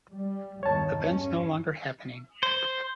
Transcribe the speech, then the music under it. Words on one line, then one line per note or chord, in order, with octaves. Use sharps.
Events no-longer happening.
G3
E2 G2 D#3 C#5 A5
G2 C#4
C5